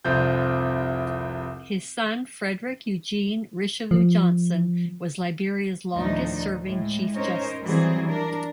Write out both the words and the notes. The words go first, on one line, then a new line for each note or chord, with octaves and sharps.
His son Frederick Eugene Richelieu Johnson was Liberia's longest serving Chief Justice.
F1 C2 F3 G6
F3
D2 A2 D#3 F3 D4 D#4
A2 G#3
C#4 D#4 A#4 C5 C#5
E3 F#3 G3 C4 G#4
D4 A#4